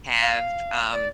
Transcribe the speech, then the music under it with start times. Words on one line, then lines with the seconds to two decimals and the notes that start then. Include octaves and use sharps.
have, um,
0.21 F5
0.92 D5